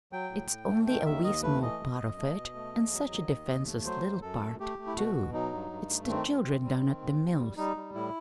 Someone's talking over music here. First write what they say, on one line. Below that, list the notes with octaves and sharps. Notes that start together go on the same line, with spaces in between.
"It's only a wee small part of it--and such a defenseless little part, too. It's the children down at the mills."
F#3 G5
A2
A2
A3
D#3 G5
D#2 E5
D#2 D#5
A3 B4
E3 D#5
F#2
F#2
A3
B2
A3
E2
F#3
D#3
D#2
D#2
A3
F#3 C5
F#2
F#2 A4
A3
A3 G4
A3
E4
B2 F#4
B2
F#3 D#4
G2
G2
A3
D#3 C4
F#2
F#2
G3
D#3
D#2
D#2
G3
G3 D#4
G3
A2 E4